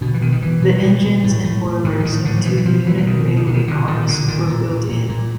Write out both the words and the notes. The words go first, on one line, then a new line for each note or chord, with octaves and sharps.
The engines and boilers of two Unit Railway Cars were built in.
B2 D3
E3
B2 D#3
D#3
B2 E3
B2
B2
B2
A2
A2
A2
A2 D#3
E3
A2 D#3
A2 D3
F3
B2 E3
E3
B2 F3
B2 E3
E3
B2 D#3
B2
D#3
B2 D3
D#3
A#2 D3
A#2 D#3
A#2 D3
A#2 D#3
A#2
A#2
A#2
A#2